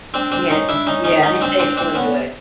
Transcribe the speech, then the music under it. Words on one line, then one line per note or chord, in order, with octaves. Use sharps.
Yeah, yeah, they say it's really good.
C4 D4
C4 D4
C#4 D#4
D4 E4
C#4 D#4
C#4 D#4
C#4 D#4
C4 D4
C4 D4
C4 D4
B3 C#4